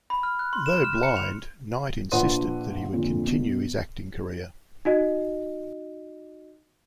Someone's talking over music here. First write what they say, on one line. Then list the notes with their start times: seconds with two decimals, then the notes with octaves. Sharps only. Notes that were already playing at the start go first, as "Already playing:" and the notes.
Though blind, Knight insisted that he would continue his acting career.
0.10 B5
0.23 F6
0.39 F#6
0.53 C6
0.66 E7
0.84 F6
1.03 C#7
1.17 F7
2.12 A#1 D4 B4 F#5 C6 D#7
2.92 F2 A#2 D3
3.27 B2
4.85 D#4 F#4 D#5